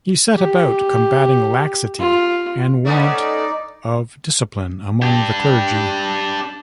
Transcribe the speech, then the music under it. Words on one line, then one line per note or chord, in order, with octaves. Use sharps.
He set about combating laxity and want of discipline among the clergy.
G4
F4
A3 B3 C#4 D#4 D5
D4 G4